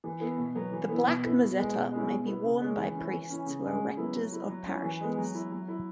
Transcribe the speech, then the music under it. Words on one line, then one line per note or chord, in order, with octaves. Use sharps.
The black mozzetta may be worn by priests who are rectors of parishes.
E3
B3 E4
B2
F#3 B3
E3
B3 E4
B2
B3 E4
B2
G#3 B3
B2
G#3 C#4 E4
B2
B3 E4
C#3
G#3 C#4
E3
C#4 E4
E3
C#4 E4
C#3
G#3 C#4
C#3
F#3 B3 E4
F#3
E4
F#3
C#4 E4
E3
G#3 B3
F#3
E4
F#3
E4